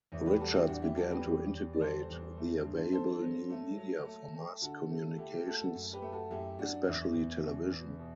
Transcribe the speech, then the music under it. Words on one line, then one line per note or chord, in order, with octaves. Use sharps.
Richards began to integrate the available new media for mass communications, especially television.
E2 E4
G4 B4
G3 F#4 A4
E4 G4
E2 D4 F#4
E4 G4
G3 F#4 A4
G4 B4
E2
E2
D5
G3 A4 C5
E2
A3
G2
G2 A4 C5
F#3
A3
F#3
A3
A3
D3 F#4 A4
A3
A3 E4 G4
E4 G4
A3 F#4 A4
F#4 A4
F#2
G4 B4
A3
F#4 A4
F#2 E4 G4
F#2 D4 F#4
E2 E4
E2
B2
E2
B2